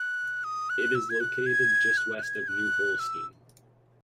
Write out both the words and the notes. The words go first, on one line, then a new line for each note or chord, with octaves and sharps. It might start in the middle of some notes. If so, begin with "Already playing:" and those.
It is located just west of New Holstein.
Already playing: F#6
D#6
F#6
E6
G#6
F#6
G#6
F#6
F#6
G#6
F#6
E6